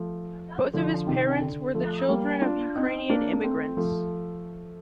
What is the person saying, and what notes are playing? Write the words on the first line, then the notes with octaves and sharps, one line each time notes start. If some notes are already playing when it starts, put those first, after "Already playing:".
Both of his parents were the children of Ukrainian immigrants.
Already playing: F3 A3
D3 F3
C3 D#3
D3
F3 A3
G3 A#3
D4 F4
C4 D#4
A#3 D4
D4
A3 C4
F3 A3